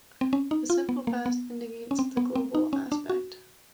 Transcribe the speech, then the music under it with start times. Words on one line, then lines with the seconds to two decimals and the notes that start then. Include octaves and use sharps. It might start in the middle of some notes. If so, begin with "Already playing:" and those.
The simple past indicates the global aspect.
0.21 C4
0.33 C#4
0.51 D#4
0.70 F4
0.89 B3
1.07 A#3
1.26 B3
1.91 C#4
1.99 C4
2.17 B3
2.36 C4
2.55 D#4
2.73 C#4
2.92 D4
3.10 F#4